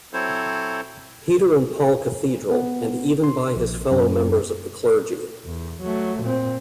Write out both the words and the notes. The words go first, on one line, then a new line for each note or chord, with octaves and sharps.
Peter and Paul Cathedral, and even by his fellow members of the clergy.
F#3 C4 E4 A4 C5 C#5
B3
C6
A#1
F#2
E2
F#3 A3
A#2 C4